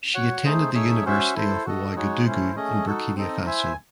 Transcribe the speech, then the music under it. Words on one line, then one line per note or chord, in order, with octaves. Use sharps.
She attended the University of Ouagadougou in Burkina Faso.
F#4 C#5 F#5
A3 D#4 G#4 C5
A3 D#4 G#4 C#5 E5
C#4 F#4 C5 E5
E4 A4 C5
F#4 A4 D#5
G#3 D#4 F#4 C#5
A3 C#4 E4 C5
A3 C#4 G#4 D#5
D#4 F#4 A4
C4 D#4 A4 D#5
E4 C5 E5 G#5